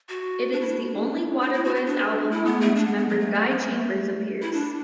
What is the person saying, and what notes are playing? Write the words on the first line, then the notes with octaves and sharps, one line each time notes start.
It is the only Waterboys album on which member Guy Chambers appears.
F#4
D4
E4
D4
D4
E4
F#4
F#4
D4
E4
B3
A3
D4
B3
B3
F#3
A3
B3
F#3
A3
E4
D4